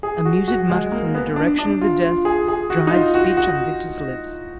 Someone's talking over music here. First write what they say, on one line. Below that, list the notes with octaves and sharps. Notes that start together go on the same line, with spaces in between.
A muted mutter from the direction of the desk dried speech on Victor's lips.
G#4
F#4
F#4
G#3
A#3
B3
D4
D4
F4
F4
G#4
G#4
F#4
D#4
F4
F#4
F#4